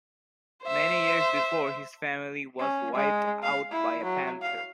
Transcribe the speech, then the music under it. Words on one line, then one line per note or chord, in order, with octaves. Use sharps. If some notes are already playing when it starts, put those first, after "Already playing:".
Many years before his family was wiped out by a panther.
C5 E5
C#4
G#3
F5
E4
F#3
F5